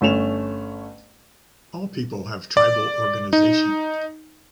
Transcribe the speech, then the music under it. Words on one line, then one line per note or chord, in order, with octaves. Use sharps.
All people have tribal organization.
G1 A3 C#4 E7 F7
D5
D#4